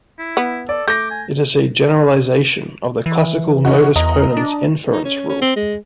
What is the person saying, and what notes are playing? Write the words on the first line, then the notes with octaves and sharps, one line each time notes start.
It is a generalisation of the classical modus ponens inference rule.
E4
B3
A4 D5
A3 D6 G6 A#6
G#5
E3
C#4 D#4 F#4
E2 D#5 A#5
D4
D#4
C#4
C#4
C4
G#3